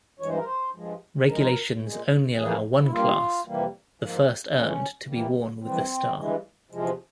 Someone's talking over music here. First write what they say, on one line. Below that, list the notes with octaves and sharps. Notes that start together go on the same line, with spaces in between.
Regulations only allow one clasp, the first earned, to be worn with the Star.
G2 E3 G#3 C#5
C5
A#4
C5
G2 F3 G#3
G#2 F3 G#3 A#4
A#2 G#3
F2 E3 A#3 G#4
E4
G2 G3 A#3 F4
F2 C3 E3 G3 A#3
G#2 F3 A#3
F2 E3 G#3 C#4
E2 E3 G3 A#3
F2 E3 G3 C4
G2 E3 G#3
E2 C3 F3 G#3